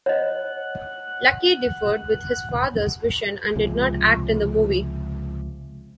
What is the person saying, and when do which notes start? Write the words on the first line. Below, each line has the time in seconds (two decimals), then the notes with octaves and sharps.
Lucky differed with his father's vision and did not act in the movie.
0.06 C#5 D#5 F#5
3.56 C#2 C3 F3 G#3